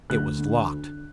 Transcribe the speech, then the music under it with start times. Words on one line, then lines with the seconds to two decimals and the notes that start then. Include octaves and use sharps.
It was locked.
0.10 D2 F#6
0.38 D3